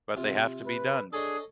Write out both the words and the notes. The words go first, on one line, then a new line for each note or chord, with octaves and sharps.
but they have to be done.
C3 C4 F4
B4
D4 G#4 A4 C#5 D#5